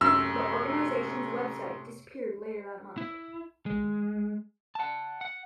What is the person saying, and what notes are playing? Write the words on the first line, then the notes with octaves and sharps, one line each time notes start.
The organization's web site disappeared later that month.
F#2 A2 C3 C#5 E6
E4
G#3
F#5 A5
F#5